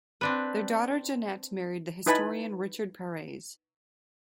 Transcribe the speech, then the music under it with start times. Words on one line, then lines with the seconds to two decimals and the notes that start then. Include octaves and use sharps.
Their daughter Janet married the historian Richard Pares.
0.21 C4 D4 B4
2.06 D#4 E4 B4 G#5 A5 B5